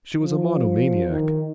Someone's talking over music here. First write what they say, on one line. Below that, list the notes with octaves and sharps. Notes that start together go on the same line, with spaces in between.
She was a monomaniac.
F3
D#3